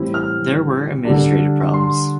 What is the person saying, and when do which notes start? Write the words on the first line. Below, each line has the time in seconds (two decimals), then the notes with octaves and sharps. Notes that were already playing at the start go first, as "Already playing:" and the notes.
There were administrative problems.
Already playing: A2 E3 G3 C4 E4
0.14 F6
1.05 D3 G3 D4
1.74 C6